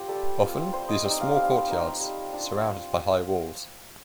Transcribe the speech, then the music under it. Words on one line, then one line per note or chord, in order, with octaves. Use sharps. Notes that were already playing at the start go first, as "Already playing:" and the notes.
Often these were small courtyards surrounded by high walls.
Already playing: C4 F4 G4
G3 A4
C4 F4
G3 C5
D#5
C4 D#4 D5
F5
G3 F5
C4 D#4
G3
D4 F4